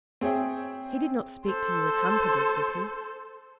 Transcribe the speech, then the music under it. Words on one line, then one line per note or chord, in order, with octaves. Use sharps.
He did not speak to you as Hamper did, did he?'
C4 G#4 C#5 E5 G5
A4 C5